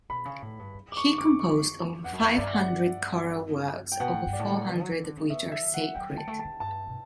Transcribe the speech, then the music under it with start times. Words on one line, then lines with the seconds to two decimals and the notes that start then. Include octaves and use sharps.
He composed over five hundred choral works, over four hundred of which are sacred.
0.09 B2 B5
0.25 C#3
0.42 A2
0.59 G2
0.74 F#2
0.92 D6
0.97 C#6
1.18 D6
1.40 C#6
2.04 E2 F#5
2.13 F#2
2.21 E2 E5
2.38 G2 D5
2.54 F#5
3.92 G5
4.00 B2 F#5
4.13 A2
4.26 G2
4.33 D5
4.39 A2
4.78 F#3
4.92 E3
5.04 D3
5.17 C#3
5.30 B2 E5
5.52 E5
5.63 F#3
5.74 F#5
5.95 F#3 G5
6.12 F#3
6.17 A5
6.27 A3
6.39 A5
6.45 D3
6.60 G2 A5
6.87 B2